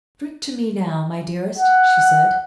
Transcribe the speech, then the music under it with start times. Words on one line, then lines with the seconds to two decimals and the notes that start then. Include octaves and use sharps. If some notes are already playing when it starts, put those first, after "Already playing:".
'Drink to me now, my dearest,' she said.
1.58 F#5